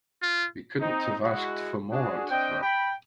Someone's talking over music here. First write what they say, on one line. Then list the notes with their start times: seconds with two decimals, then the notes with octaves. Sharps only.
We couldn’t have asked for more out of her.
0.22 F4
0.81 C4 D#4
1.23 G#3 E4 F#4
1.92 D4 F#4 G#4
2.31 C4 D4 D#5 G5
2.62 G5 B5